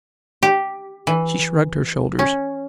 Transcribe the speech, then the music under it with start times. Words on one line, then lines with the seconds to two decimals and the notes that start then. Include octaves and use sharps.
She shrugged her shoulders.
0.43 G4
1.07 E3
2.19 C#4